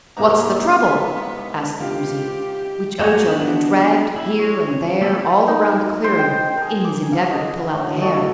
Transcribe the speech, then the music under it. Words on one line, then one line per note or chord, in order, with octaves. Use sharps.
"What's the trouble?" asked the Woozy, which Ojo had dragged here and there all around the clearing in his endeavor to pull out the hair.
C2 G#2 A#3 E4 E5 A#5
B3
F4 G4 F5
A3 A#3 F#4 G4 G#5
B3 D4 F#4
E4
C#5
A3 B3 E4 A4
D#4
C5
G5
G#4 A#4
D6
F5 F#5
D#5 F5
A2 F#4
F#4 A4 D#5